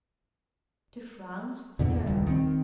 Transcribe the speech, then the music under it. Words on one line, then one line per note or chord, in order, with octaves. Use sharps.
"To France, sir?"
E2 A#2 D3
D#1 C#2 G3
D#3 C4